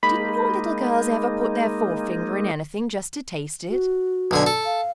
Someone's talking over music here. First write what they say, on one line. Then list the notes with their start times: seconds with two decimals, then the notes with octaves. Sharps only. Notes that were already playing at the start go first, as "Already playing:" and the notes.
"Didn't your little girls ever put their forefinger in anything just to taste it?"
0.03 G#3 A#3 D#4 B5
3.70 F#4
4.31 B1 D3 G#5
4.46 A4
4.66 F5